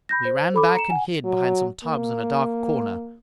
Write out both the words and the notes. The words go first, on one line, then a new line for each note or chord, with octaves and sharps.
We ran back and hid behind some tubs in a dark corner.
B5 G6 A#6
C5
A4 B5 D6
A#5 C#7 E7
F#5 G#5
F#3
A#3